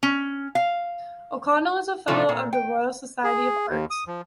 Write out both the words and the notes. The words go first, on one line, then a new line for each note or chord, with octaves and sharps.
O'Connell is a Fellow of the Royal Society of Arts.
C#4
F5
A2 C3 F3 A3 D#4 F4
A#2
G5
G#4
D#2
D#6
F3